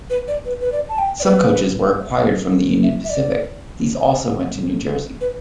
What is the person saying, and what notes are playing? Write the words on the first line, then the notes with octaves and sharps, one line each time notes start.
Some coaches were acquired from the Union Pacific; these also went to New Jersey.
B4
D5
B4
B4
D5
A5
G5
D5
B4
E5
E5
D5
B4